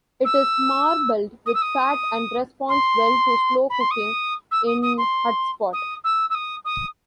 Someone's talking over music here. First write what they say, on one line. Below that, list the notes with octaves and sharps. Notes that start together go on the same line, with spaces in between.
It is marbled with fat and responds well to slow cooking in "hutspot".
E6
D#6
E6
D#6
C6
B5
C6
D#6
E6
D#6
D#6
C6
D#6
E6
E6
D#6
D#6